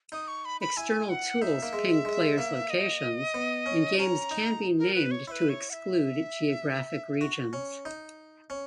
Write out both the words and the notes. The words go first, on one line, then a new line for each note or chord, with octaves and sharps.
External tools ping player's locations, and games can be named to exclude geographic regions.
D#4 D#6
C#6
B5
B5
E4 G#5
F#5
D#4 E5
A#3
G#3
G#3
A#3
D#5
B3
C#4
C#4 A#5
D#4
A#4
B4
C#5
E4 B4 C#5
C#5
F#5
E5
F#4
C#4
D#4
C#4